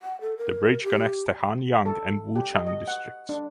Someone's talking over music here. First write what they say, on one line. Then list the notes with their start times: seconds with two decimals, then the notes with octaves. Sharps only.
The bridge connects the Hanyang and Wuchang districts.
0.02 F#5
0.21 A4
0.37 A#4
0.84 G4
1.86 A4
2.36 G4
2.54 D#5
2.67 D#5
2.88 F#5
3.29 D4